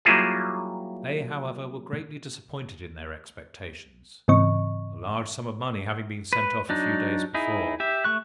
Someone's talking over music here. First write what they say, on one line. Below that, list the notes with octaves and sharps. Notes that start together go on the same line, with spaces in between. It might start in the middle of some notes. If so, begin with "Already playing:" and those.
They, however, were greatly disappointed in their expectations, a large sum of money having been sent off a few days before.
F#3 G3 A#3 E4 F4 G#4
G#2 C#3 E3 C4 D#5 C#6
B4
F#3 D4 D#4
D#4 E4 G#4
G4 E5
A3 C#6 F#6